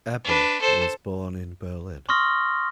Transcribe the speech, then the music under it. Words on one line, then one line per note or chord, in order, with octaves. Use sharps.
Ebel was born in Berlin.
D4 B4
A4 C5
C6 C#6 D#6 F6 A#6